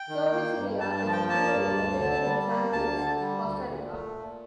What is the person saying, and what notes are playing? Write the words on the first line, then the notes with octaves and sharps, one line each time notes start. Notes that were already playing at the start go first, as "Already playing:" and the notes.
Cerveceria is a brewery located in San Jose, Costa Rica.
Already playing: G5
D#3
A#3
G2
G2 A5
A5
F3
G5
A#3 A5
G2
D2
D3
G3
A#3
D2 A5
D3
G3
D2
A#2
A3
A#2